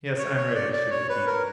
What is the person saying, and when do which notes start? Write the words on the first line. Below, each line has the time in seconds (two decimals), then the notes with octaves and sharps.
"Yes, I'm ready," she repeated.
0.19 C#5
0.37 C#5
0.55 D5
0.73 D5
0.91 C#5
1.09 B4
1.26 A#4